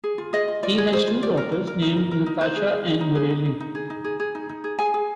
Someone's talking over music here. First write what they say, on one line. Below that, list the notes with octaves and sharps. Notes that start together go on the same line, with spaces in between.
He has two daughters named Natasha and Marielle.
G#4
F4
G#4 D#5
F4
F4 D5
G#4
G#4 C5
F4
G4 D5
A#4
A#4
A#4
D#4
A#4
A#4
D#4
D#4 C5
G#4
G#4
G#4
D#4
G#4
D#4
D#4
D#4
G#4
D#4
G#4
G#4
D#4
D#4
G#4
G#4 G#5
G#4